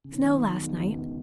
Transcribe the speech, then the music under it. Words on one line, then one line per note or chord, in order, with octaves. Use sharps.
Snow last night.
C#3
B2 D#3 F#3 B3
E2 B2 G#3 B3
C#3
D#3